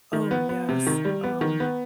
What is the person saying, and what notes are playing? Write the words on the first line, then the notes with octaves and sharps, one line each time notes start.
Oh, yes, um,
D#3
B3
B3
C3
D#3
G3
B3
D#3
B3